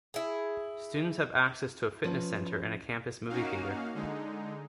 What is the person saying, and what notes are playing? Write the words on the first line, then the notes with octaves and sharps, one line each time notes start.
Students have access to a fitness center and a campus movie theater.
E4 G#4
F3 C#4 B4
A#3 C#4 D#4 F#4 F5
D3 G#3 D#4